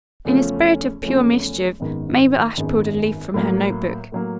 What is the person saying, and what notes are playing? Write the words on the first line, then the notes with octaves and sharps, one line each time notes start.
In a spirit of pure mischief Mabel Ashe pulled a leaf from her note book.
E2 C#3 F3 A3 C#4
E2 C#3 F3 A3 C#4
G#1 F#2 D#3 G#3 B3
G#1 F#2 D#3 G#3 B3
A2 F#3 A#3
A2 F#3 A#3